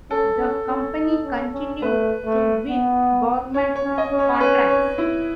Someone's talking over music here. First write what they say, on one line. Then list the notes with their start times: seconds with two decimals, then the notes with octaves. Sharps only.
The company continued to win government contracts.
0.10 C#4 A4
0.39 C#4
0.68 C#4
0.97 D#4
1.25 C#4
1.54 C#4
1.82 A3 B4
2.25 A3
2.69 B3
3.54 C#4 C#5
3.76 C#5
3.83 C#4
3.98 D#5
4.12 C#4
4.19 C#5
4.40 B4
4.69 C#5
4.98 E4